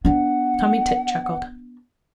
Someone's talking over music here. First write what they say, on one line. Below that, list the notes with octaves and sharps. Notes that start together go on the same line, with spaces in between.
Tommy Tit chuckled.
B3 D4 F#5